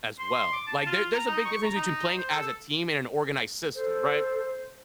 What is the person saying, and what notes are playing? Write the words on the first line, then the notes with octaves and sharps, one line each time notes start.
as well. Like, there there's a big difference between playing as a team in an organized system, right?
C6
C6
D6
A5
F4
A#5
D#4
C#6
A#5
D#4
C5
A4
A4 C5